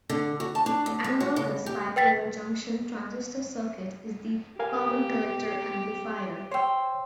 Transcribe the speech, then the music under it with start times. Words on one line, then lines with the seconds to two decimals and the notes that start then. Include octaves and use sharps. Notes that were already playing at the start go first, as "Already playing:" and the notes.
The analogous bipolar junction transistor circuit is the common-collector amplifier.
0.10 D3
0.40 F#4
0.55 A5
0.66 D4
0.86 D2
1.04 G#3
1.20 F#4
1.36 C#3
1.66 G4
1.96 B4 G5 A6 B6
4.59 G4 A#4 F5 G#5
5.10 B3
6.52 C5 C#5 G5 E6